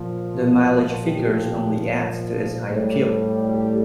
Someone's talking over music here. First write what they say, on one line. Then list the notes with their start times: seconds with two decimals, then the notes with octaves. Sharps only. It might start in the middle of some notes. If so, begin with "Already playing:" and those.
The mileage figures only adds to its high appeal.
Already playing: A#2 F3
1.05 G4
2.67 A2 G3
3.49 G4